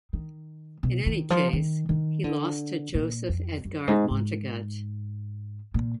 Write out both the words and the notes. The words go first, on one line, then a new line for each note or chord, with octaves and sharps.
In any case, he lost to Joseph Edgard Montegut.
D#3
B2
D#3
F3
D#3
D#3
D3
A#2
F2
F#2
G#2
G#2
A#2